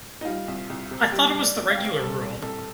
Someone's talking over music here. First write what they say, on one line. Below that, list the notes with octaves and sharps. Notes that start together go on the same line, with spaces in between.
I thought it was the regular rule.
D#4
G3 F4
C2
C2
C3
G3 G4
C2
D5
C2
F5
C3 G5
F5
G3 A4
C2
C2 A4